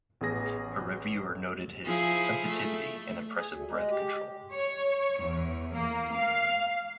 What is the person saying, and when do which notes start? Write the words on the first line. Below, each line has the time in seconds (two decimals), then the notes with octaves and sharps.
A reviewer noted his "sensitivity and impressive breath control".
0.21 A1 B3 G#4 A#6
1.84 F3 E4 G#4
2.47 A3
3.35 G#4
3.49 D2
3.70 G#3
3.90 G4
4.53 C#5
5.20 E2
5.73 A#3
6.15 F5